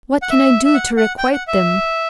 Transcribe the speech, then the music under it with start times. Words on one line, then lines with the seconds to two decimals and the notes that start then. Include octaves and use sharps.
What can I do to requite them?
0.22 F#5
0.30 E5
0.65 E5
0.74 F#5
0.97 F#5
1.18 G5
1.33 F#5
1.48 E5